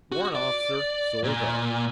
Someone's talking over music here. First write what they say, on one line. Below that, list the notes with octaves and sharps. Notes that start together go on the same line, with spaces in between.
Warrant Officer--Solar Guard.
F#4
D5
A#2